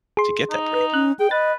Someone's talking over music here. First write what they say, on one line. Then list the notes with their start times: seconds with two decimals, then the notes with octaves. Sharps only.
to get that break?
0.17 G#4 C6
0.51 D#4
0.73 B4
0.94 C#4 F#6
1.19 G#4 G5
1.31 B4 D#5 A6